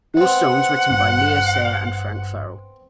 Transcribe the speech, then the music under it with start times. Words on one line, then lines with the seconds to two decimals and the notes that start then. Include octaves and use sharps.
All songs written by Leo Sayer and Frank Farrell.
0.17 B3 C4 F#5
0.90 G#1 G2